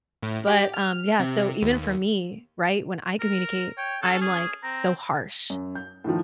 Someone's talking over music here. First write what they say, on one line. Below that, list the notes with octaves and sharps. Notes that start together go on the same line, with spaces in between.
but, um, yeah, so even for me, right, when I communicate, I'm, like, so harsh,
A2
G4
F6
C3
D#2
A#4
C#5 G5
C#4 A4
G#4
C4 A#5
F#2
G6
A2 D#3 F3